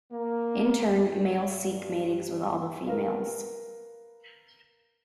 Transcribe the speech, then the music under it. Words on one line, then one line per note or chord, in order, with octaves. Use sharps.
In turn, males seek matings with all the females.
A#3
G2
A#4 B4 F5